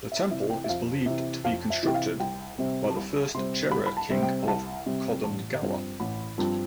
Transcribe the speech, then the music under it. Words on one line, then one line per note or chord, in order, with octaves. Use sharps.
The temple is believed to be constructed by the first Chera king of Kodungallur.
E5
C3 E3 E5
G5
E5
F2 F5
C3 E3
F2 F5
E5
C3 E3 G5
F5
C2 G5
C3 G3 C4
A5
C2 B5
C3 G3 C4 C6
C2 B5
B5
A5
C3 G3 C4
G5
C2 A5
C3 G3 C4
A1 A5
G2 F3 C4
A1 B5
G2 F3 C4